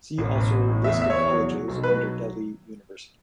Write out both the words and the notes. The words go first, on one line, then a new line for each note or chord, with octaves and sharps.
"See also List of colleges under Delhi University".
A1
A1
A1
A2
E2 E5
E2 E5
C#5
E2
F#3
F#3
B1
F#3 B4